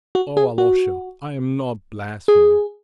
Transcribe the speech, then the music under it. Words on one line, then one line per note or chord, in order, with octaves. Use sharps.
Oh, Alyosha, I am not blaspheming!
F#4
G#4
F#4
G#4